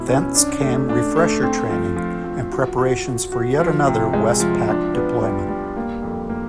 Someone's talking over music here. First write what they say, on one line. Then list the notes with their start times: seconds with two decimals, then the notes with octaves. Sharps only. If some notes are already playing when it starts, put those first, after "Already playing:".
Thence came refresher training and preparations for yet another WestPac deployment.
Already playing: B2 G#3 E4
0.08 C#4
0.35 D4
0.62 A3
0.89 D4
1.16 A3
1.43 C4
1.70 F3
1.96 F3
2.24 F3
2.52 F#4
2.78 F#4
3.05 F#4
3.32 F#4
3.60 F3
3.87 C3
4.13 G#3
4.40 F3
4.68 D4
4.94 B3
5.21 G3
5.49 G3
5.77 A#3
6.03 F2
6.29 A#3